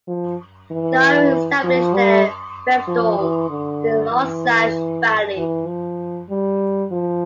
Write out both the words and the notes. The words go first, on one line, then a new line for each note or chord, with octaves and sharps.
The Irings established their fiefdom in the Loisach valley.
F3
E3
F3
G3
F3
E3
D3
E3
E3
F3
G3
F3